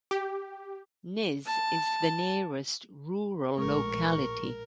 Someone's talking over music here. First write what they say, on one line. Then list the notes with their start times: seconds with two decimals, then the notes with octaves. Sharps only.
Niz is the nearest rural locality.
0.11 G4
1.47 A5
3.58 A#1 A2 G#3 A#4 C#6